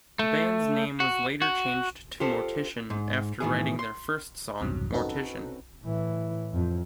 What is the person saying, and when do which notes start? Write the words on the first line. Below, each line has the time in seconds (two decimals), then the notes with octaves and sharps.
The band's name was later changed to Mortician after writing their first song, "Mortician".
0.19 A3
1.00 F#4
1.42 F#4
2.20 F4 G4 A4 C5
2.90 G#2
3.40 A2 D#3 E3 G#4
3.79 C6
4.61 B1 E2 G2 C3 F#3
4.93 C4 C#4 D#4 F#4 A4 B4
5.83 A2 E3
6.53 F2